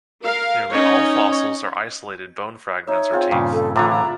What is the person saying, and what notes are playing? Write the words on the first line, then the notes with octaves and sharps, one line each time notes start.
Nearly all fossils are isolated bone fragments or teeth.
A#4 F5
C#4 D#4 C#5 D#5
D#4 C#5 E5
C4 F4 G#4
G2 A#2 C#3
A4
A2 D3 E3 F4 D5 E5 A#5
A#5